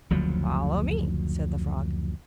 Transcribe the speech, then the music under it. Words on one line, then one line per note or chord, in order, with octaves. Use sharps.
"Follow me," said the frog.
F#1 D2 F3 F#3